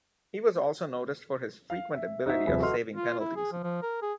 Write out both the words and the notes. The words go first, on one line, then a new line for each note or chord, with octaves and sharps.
He was also noticed for his frequent ability of saving penalties.
F5
E5
D#4 F#4 C5 E5
D#1 C3 F3 G#4 B4 E5
F#4 A4 B4 D#5 C6 F6
F4
E4
G#4
F3
F3
A#4
G#4